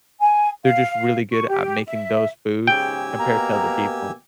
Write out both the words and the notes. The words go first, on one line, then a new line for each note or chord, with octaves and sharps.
they’re just really good at making those foods compared to other people.
G#5
F5
C#6
G4
E5
B1 G#2 C#3 G4 G5 G#5 E6
B2 A#3 B3 A#5